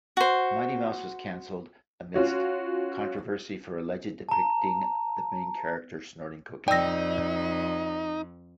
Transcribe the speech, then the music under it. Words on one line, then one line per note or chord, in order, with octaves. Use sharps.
"Mighty Mouse" was cancelled amidst controversy for allegedly depicting the main character snorting cocaine.
F#4 C5
C#4 F4 F#4 C#5
A5 A#5
F2 D#4 D5 G5 E6 A#6